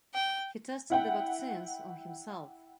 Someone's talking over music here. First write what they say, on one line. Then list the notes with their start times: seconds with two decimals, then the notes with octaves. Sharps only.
He tested the vaccines on himself.
0.14 G5
0.90 E4 F#5 G5